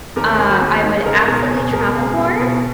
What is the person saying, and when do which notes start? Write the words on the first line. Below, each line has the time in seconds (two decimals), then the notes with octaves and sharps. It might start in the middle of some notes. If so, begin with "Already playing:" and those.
Uh, I would absolutely travel more,
0.16 D#2 A#4
0.38 D#2
0.51 F#4
0.61 D#2 G#4
0.83 D#3
0.97 G#4
1.06 C#2 A#4
1.28 B2 A#4
1.50 B2 G#4
1.73 B2 A#4
1.95 C#2 G#4
2.18 B2
2.40 B2